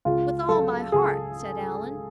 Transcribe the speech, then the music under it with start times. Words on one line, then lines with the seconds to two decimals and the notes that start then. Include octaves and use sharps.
"With all my heart," said Allan.
0.05 C#2 F4
0.49 F#3 A4
0.92 C#2 G#4